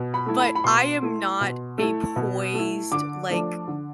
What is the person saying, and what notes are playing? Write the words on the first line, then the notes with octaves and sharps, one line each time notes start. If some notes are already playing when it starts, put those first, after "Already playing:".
but, I am not a poised, like,
Already playing: B2
B5
A3 E4
B5
B5
B2 C6
A3 E4
B2
A3 E4
B2
A3 E4
D3 D6
F3 A3 D4
D3